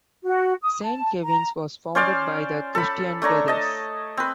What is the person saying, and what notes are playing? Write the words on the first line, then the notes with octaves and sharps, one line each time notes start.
Saint Kevin's was founded by the Christian Brothers.
F#4
D#6
A5
A#5
C#4 C5 D5 F5
A4 B5
A3 D4 C#5 A#5
D#5 A5
C4 B4